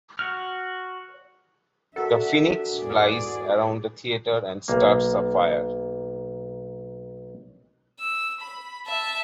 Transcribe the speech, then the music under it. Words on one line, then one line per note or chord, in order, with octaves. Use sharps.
The Phoenix flies around the theatre and starts a fire.
F#4 F6
D3 D4 F#4 A4 A#4 E5 F#5
E2 G#2 G#4 D5
B1 A#3
E6
B5
E5 A5